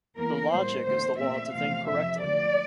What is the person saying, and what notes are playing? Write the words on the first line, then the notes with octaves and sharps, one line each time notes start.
The logic is the law to think correctly.
E2 E3 A#3 A#4
A2 G3 A#3 C5
E2 D3 A3 C5
A#2 A3 C4 E5
E2 C3 F3 A3 C4 F5
F2 C3 F3 C4 E5
D2 D3 F3 D5